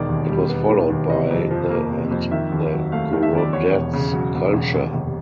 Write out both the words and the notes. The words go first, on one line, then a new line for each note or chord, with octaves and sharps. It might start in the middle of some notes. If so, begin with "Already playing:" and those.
It was followed by the and the Gorodets culture.
Already playing: E1 D#3 D5
D#2
G3
B3
D#3
D#2
C3 D#5
F2
F3
A#3
C3
F2
D#3 E5
D#2
F#3
A3 F5
D#3
E5
D#2 D5
E2 C#5
E1
C#3
F#3
E2
E1
D#2
F1